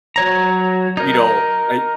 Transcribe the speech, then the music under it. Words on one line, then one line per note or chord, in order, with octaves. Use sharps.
you know, I
F#3 C#5 A#5
D#4 A#4